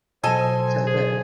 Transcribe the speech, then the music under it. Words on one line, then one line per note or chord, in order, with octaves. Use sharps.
So good.
B2 F#3 A4 C5 D#5 G#5
G#4